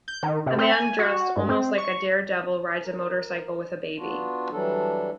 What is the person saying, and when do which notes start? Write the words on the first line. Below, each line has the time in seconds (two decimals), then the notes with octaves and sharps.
A man dressed almost like a daredevil rides a motorcycle with a baby.
0.08 G6
0.23 D#3
0.46 C3
0.58 C4
0.72 G#5
0.99 F#4
1.37 G2
1.49 C4
1.78 C#6
2.83 A#4
3.98 B3 D4 F4 F#4
4.52 E3 F#3 G3 D4 A4